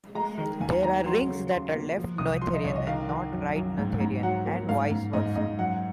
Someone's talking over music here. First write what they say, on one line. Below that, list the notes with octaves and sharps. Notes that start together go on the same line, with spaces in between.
There are rings that are left-Noetherian and not right-Noetherian, and vice versa.
G#3 A#5
D#3
D#2 G#5
D#3 A#5
F#3 C6
C#3
C#3 C6
A#3
F3
C2 D#6
F3 C6
D#5
C2 C#5
D#5
D#3 F5
D#3
F#2
F#2
G#2
G#2
F#3 F#5
A#3
G#2 F5
G#2
G#2 D#5
G#2 D#5
F#2 F#5